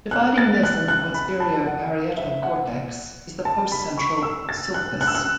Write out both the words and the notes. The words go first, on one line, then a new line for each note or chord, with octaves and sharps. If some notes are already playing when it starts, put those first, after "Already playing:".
Dividing this and the posterior parietal cortex is the postcentral sulcus.
F#6
A6
F#6
F#6
B5
A5
F#5
E5
F#5
A5
B5
C#6
E6
A6
F#6
F#6
E6
F#6